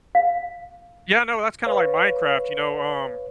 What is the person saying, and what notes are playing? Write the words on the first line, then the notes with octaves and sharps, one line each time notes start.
Yeah, no, that's kinda like Minecraft, you know, um
F5
B4 C#5 F5